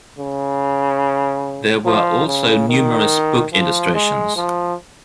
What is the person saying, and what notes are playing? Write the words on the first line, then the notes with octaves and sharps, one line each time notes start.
There were also numerous book illustrations.
C#3
F3
C#3
D#3
F3
G#3
F3